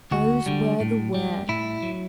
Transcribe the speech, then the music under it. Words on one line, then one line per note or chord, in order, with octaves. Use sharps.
Those were the words!
D2 F#4
D3 G3
A2
G3
A2 E4
F#3